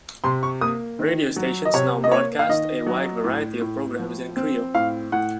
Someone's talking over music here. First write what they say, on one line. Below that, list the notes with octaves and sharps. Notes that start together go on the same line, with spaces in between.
Radio stations now broadcast a wide variety of programs in Krio.
C3 C6
C#6
A#3 D#6
D#3
F#3
D#5
C3 C#5
D#5
A#3 C#5
F5
D#3 D#5
F#3
A2
A2
F3
C4
A2 F5
A2 F#5